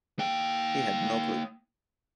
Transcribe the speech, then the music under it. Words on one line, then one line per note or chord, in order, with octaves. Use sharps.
He had no clue.
A#3 G5